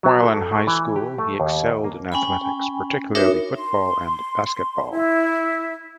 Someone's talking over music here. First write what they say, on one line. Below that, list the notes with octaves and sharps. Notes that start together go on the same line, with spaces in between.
While in high school he excelled in athletics, particularly football and basketball.
F#3
A4
A3
E3
G4
A3
D#2
A#3
C#4 G5 G#5 B5
D4 D#4 F#4 A#4 C#5 E5
C6
E4